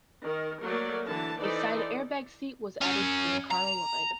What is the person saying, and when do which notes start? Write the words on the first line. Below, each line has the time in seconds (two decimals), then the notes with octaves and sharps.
A side-airbag seat was added to the Recaro line.
0.24 D#3 A#4
0.64 F#3 A3 A#3 A#4 D5
1.06 D3 E3 A5
1.38 E3 D#4 A4 C5 D5
2.81 F#2 C#4
3.51 A#5